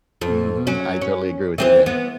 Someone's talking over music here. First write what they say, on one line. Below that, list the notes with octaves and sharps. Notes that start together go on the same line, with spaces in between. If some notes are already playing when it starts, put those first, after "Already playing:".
Mhm, I totally agree with you there.
F2
F#3 C#4
C#4
E3 C4 C5
B3